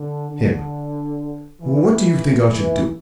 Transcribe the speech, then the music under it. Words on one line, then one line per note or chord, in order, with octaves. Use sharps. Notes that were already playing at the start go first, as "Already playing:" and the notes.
HIM: What do you think I should do?
Already playing: D3
D3
E3
E3